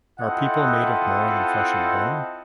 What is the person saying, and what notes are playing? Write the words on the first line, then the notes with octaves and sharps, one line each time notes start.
Are people made of more than flesh and bone?
C4 E4 F4 A4 D#5 F#5